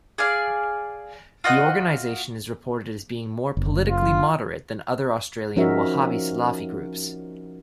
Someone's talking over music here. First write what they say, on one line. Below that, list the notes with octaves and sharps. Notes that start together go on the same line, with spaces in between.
The organisation is reported as being more politically moderate than other Australian Wahhabi-Salafi groups.
G#4 D5 F5
F4 F#4 D#5 F#6
F#1
F4
F3 C#4 D#4 F#4 A#4 E5